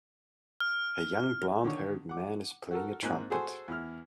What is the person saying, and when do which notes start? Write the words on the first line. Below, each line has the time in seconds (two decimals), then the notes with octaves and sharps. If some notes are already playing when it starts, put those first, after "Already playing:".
A young blondhaired man is playing a trumpet.
0.60 F6
1.64 D3 D#3 C#5
2.09 F#5 D6
2.71 F#4 A4 A#4
3.03 G#2 A#3 C4 G#5 F#6
3.30 F#4 G#4 A4 C5 G#5 C6
3.68 E2 E4 F6